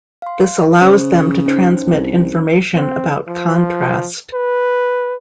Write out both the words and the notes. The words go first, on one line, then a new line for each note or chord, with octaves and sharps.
This allows them to transmit information about contrast.
F5 C6
C#3 C5
C#4 D#4 C5
C2
C4
F3
B4